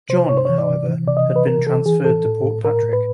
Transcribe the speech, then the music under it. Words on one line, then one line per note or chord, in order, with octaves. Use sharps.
John however had been transferred to Portpatrick.
C3 C5
C3 C#5
C5
E3 C#5
D5
C3
E3
C3 D5
D#5
E3
B4
C3 A#4
E3 A4
E3 G#4
A2 A4
A2
A2
A2 A#4
A2
B4